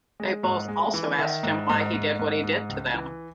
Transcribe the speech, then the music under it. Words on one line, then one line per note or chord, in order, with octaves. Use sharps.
They both also asked him why he did what he did to them.
G#3
G#2
G#3
E3
D#3 E5
G#2
G#2
G#2
G#2
G#2
C#2
E3